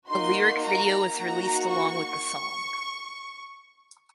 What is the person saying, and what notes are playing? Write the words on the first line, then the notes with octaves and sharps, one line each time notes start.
A lyric video was released along with the song.
A#3 D#4 F#4 C6
A#5
A#3 D#4 F#4 A#5
C#6